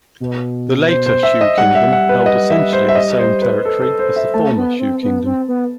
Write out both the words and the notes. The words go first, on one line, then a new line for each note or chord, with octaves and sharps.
The Later Shu kingdom held essentially the same territory as the Former Shu kingdom.
B2
C5
C5
E5
D#5
G3 F#5
E5
F#5
B4
D#5
E5
C5
E5
D#5
C5
B4
A4
A4
C5
E5
A3 A5
B3
C4
B3
C4
B3